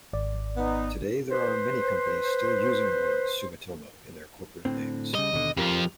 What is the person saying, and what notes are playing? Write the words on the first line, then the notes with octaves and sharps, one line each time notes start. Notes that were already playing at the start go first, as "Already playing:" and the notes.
Today, there are many companies still using the word "Sumitomo" in their corporate names.
G#1 D5
B3 D#4
B4 C5
A2 D3 C4
C#3 G3 D#5
D#2 B2 D3
F2 F3 F4 G4 A#4